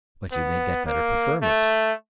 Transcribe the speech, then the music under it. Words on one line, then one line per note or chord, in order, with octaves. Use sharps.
"But you may get better preferment."
B3
A#3
A3